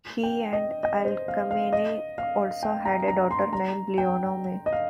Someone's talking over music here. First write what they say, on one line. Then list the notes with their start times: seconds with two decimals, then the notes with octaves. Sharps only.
He and Alcmene also had a daughter named Laonome.
0.23 G5
0.53 D#5
0.83 D#5
1.05 C5
1.28 F5
1.51 F5
1.73 D#5
2.18 F5
2.63 G5
2.85 A#5
3.08 A#5
3.31 C6
3.53 A#5
3.98 G5
4.66 D#5
4.72 F5